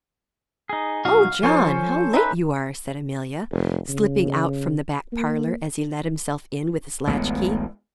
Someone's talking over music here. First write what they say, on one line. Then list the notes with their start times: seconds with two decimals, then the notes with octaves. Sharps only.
"Oh, John, how late you are!" said Amelia, slipping out from the back parlour as he let himself in with his latch-key.
0.69 D#4 G#4
1.05 B1 D#4 F#4 F5
1.43 F3 C#4 A4 C5
2.14 D#4 B4 E5
3.52 F1
3.89 C#3
5.12 A#3
7.07 A1 D2 G#3 B3